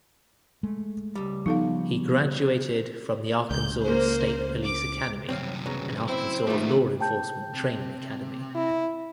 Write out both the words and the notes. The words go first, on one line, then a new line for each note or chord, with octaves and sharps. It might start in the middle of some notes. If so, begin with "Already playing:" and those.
He graduated from the Arkansas State Police Academy and Arkansas Law Enforcement Training Academy.
G#3 A3
C#2 G3
F3 B3 D#4 A4 F5
C#2 G6
A#3 C5
D6
C2 F#2 C4 C#5 F5
C#3 F#3 B3
C4 E4
D3 D#3 A3 F4 G4
G5 A5 G6
C3
E4